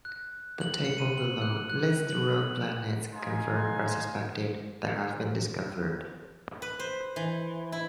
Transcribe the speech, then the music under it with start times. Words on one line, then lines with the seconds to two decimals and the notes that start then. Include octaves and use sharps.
The table below lists rogue planets, confirmed or suspected, that have been discovered.
0.05 F#6
0.61 F#7
0.85 C#7
0.98 D#7
1.18 F#7
1.41 F#6
1.70 F#6
2.10 F#7
3.13 D#4 F5 G#5 C6
6.62 B4
6.79 C5
7.16 E3
7.72 E4